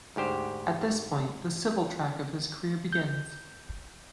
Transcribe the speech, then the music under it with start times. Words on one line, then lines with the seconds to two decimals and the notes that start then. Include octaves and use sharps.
At this point the civil track of his career begins.
0.16 D2 G#2 G4 C5
2.93 G6